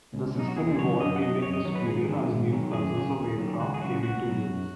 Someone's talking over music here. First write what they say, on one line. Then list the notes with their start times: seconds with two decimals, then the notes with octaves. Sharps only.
The system evolved during this period as new classes of aircraft came into use.
0.14 C#2
0.35 B2 F#3 D#4
0.48 F#4
0.56 D#2 G#4
0.78 C#3 F#3 C#5
1.00 F#2 D#5
1.16 F#5
1.21 F#3 D#5
1.42 F#2 C#5
1.53 D#5
1.65 D#3 F#3 C#5
1.75 B4
1.86 G#2 G#4
2.08 D#3 F#3
2.30 G#2
2.51 D#3 F#3
2.73 F#2 G#4
2.95 C#3 F#3
3.17 D#2
3.38 D#3 F#3
3.60 C#2 F#4
3.74 G#4
3.81 C#3 F#3 F#4
4.03 C#2 F#4
4.26 B2 F#3
4.47 F#2